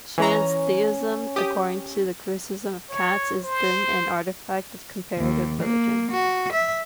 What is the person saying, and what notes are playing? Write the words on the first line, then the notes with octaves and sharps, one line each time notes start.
"Transtheism", according to the criticism of Katz, is then an artifact of comparative religion.
E3 C#4 A#5
G4 D#6
C#5
C5
D#2
A#3
F#4
E5